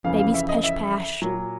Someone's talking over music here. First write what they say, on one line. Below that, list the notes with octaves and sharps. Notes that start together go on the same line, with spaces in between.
Baby's Pesh-Pash.
F2 C#3 E3 F5
F5
E5
D#5
E5
A#2 F#3